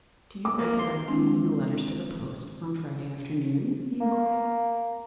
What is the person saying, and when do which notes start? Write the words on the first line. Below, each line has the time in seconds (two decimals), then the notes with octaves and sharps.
"Do you recollect taking the letters to the post, on Friday afternoon?" he inquired.
0.45 D6
0.59 A#3
0.79 C6
1.07 D#3 G#3 C4 D4 E4
4.01 A#3